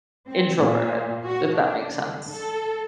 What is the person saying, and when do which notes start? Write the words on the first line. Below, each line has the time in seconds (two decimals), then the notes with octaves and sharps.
introverted, if that makes sense.
0.29 C4
0.59 A#2
1.25 F#4
1.55 D4
1.95 D3
2.30 A4